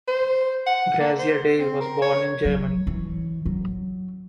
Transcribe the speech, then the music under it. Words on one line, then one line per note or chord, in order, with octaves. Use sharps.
Graziadei was born in Germany.
C5
F#5
A#3
C5
C4
A#4
C#5
F#3
E3
F#3